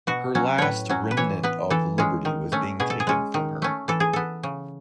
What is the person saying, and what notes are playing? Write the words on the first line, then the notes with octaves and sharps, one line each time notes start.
Her last little remnant of liberty was being taken from her.
B2 F#4
F#3 C#4
A2 B4 C#5
F#3 C#4
B4
E3 C#5
B3 B4
E3 A4
G#3 C#4
D#3
A3 C#4
B2 G#4
A4
G#4
G#3 C#4
D#3
A3 C#4
E3 A4
G#4
B3 A4
C#3